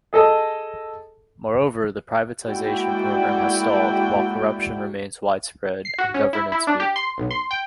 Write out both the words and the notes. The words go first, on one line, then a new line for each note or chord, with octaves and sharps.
Moreover, the privatization program has stalled, while corruption remains widespread and governance weak.
G#4 A4 D#5
G#3 A#3 E4 F#4 D5 G5
C7
F#4
C#4
E4
E4
D4
G4
C6
B1
C6
G5